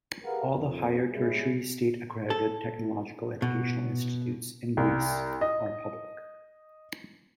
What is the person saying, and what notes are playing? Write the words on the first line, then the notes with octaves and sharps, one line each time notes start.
All the higher tertiary state-accredited technological educational institutes in Greece are public.
G4 G#4 A#4 B4 F5 F#5
F2 B2
G3 G#3 C#4 E4 G#4
A4
B2
C2
D#5